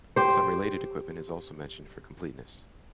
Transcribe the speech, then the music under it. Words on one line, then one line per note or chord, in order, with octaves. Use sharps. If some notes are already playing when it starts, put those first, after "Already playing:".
Some related equipment is also mentioned for completeness.
G4 C5